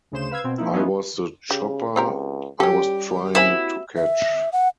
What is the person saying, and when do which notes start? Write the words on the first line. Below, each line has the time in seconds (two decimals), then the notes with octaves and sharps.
I was the shopper I was trying to catch.
0.12 D2 C#3 C5 E7
0.31 B4 F5 E6 G#6
0.44 B2 C4
0.58 F3 A#3 D#4 E4
0.73 F3 B3 C#4 D#4 E4
1.51 C#3 G4
1.96 C#2 C4 G4 A#4
2.60 G3 C#4 G4 A4
3.35 A#3 C4 E4 F#4 G#5
3.97 E5
4.52 F#5